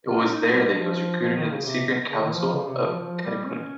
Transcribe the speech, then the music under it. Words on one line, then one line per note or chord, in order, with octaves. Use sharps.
It was there that he was recruited into the secret council of the Katipunan.
F4
C#4
D#4
G3
F3
F3
D#3
C#3
C3
C#3
D#3
F3
C#3
C3
C3
F3
F3
G3
C#4